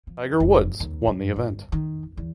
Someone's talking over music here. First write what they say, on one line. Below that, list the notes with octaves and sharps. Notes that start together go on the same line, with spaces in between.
Tiger Woods won the event.
F3
F1
D#2
F#2
G1
D#3
E2